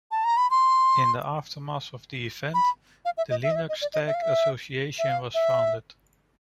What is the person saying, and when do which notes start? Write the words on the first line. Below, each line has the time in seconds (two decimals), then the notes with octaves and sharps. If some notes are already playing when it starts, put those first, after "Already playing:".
In the aftermath of the event, the LinuxTag association was founded.
0.11 A5
0.24 A#5
0.37 B5
0.51 C6
2.54 B5
3.05 F5
3.18 E5
3.30 D#5
3.43 E5
3.51 D#5
3.56 E5
3.69 D#5
3.81 D5
3.94 D#5
4.07 E5
4.14 F5
4.22 E5
4.99 E5
5.09 F5
5.34 E5